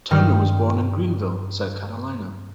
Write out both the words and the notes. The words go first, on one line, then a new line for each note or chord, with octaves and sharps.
Turner was born in Greenville, South Carolina.
G2 D#3 G5 F6